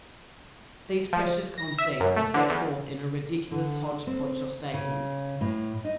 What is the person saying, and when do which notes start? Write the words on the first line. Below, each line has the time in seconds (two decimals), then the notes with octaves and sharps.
These precious conceits are set forth in a ridiculous hodge-podge of statements.
1.13 F3
1.58 A#6
1.78 E5
2.00 F#2
2.17 A3
2.34 D3
2.50 E2
3.51 D3
4.07 C4
4.74 C#3
5.41 A2
5.85 D#4